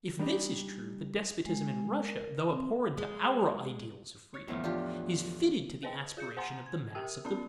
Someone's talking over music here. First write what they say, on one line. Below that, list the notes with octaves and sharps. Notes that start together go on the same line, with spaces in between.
If this is true, the despotism in Russia, though abhorrent to our ideals of freedom, is fitted to the aspirations of the mass of the people.
G3 D4 D#4 G4 G#4
G#3
A#4
C4
G#3
C#5
E2 A2 F3 E4
D4 F4 G4
G#4 B4 C5 D#5 G5
F4 G#4 G6 C#7
C5 F#5 G#5 A#5 C6
G#6
G4 A#4 G5 D#6 E6 D#7
B3 C#4 F4 D5 A5